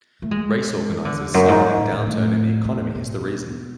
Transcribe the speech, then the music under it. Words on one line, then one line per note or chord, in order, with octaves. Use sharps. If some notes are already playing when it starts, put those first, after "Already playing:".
Race organizers cited a downturn in the economy as the reason.
A3
G#3
E3
D3
E2
F#2
G#2
A2
A2
A2
A2
B2